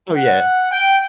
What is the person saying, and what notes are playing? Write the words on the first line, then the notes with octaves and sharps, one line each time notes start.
Oh, yeah.
F#5
G5